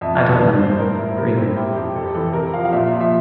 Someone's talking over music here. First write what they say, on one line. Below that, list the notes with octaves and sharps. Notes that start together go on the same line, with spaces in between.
I don’t know. Dreaming.
F2 E5
G3
G2 D5
G2 C5
A2 A#4
E4
G3 A#4
C4
E4 G4
F2 G4
C3 A4
G4
E3 A4
C3 A#4
F3 F5
F5
A#2 E5
F3
E5